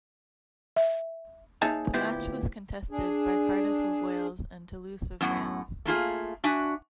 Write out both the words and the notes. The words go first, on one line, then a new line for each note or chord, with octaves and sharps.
The match was contested by Cardiff of Wales and Toulouse of France.
E5
A#3 D#4 G#4 C#5 E5 A5
D2 A#2 B3 E4 G4 C5
D4 G#4
F#2 A2 B3 F#5
A3 A#3 F4 G#4
D4 F#4 E5 G#5